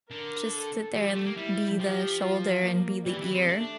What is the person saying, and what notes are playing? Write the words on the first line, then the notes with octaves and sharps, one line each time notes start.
just sit there and be the shoulder and be the ear.
D3 A#4
A4
E3 G4
F3
A3
A#3
G3 E4
F3 G4
F4
A#3
E3 G3
E3
C4
A3 D4